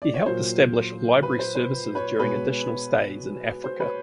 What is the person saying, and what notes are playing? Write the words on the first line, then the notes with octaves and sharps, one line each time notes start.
He helped establish library services during additional stays in Africa.
D5
C#5
A#2 F#3 A#3 C5
B4
C5
C5
B4 C#5
B2 G#3 B3 B4 C#5
C5
B4 C#5